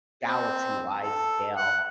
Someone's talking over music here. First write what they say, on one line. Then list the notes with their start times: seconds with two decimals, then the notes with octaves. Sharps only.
galaxy-wide scale,
0.24 C4
1.02 A4
1.56 F#5